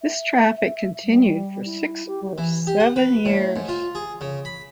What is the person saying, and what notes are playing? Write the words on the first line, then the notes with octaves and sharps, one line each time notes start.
This traffic continued for six or seven years.
E5
G3
E4
G4
E3
G4
F#5
B4
A2
G#2
F4
G#4
C#3
B5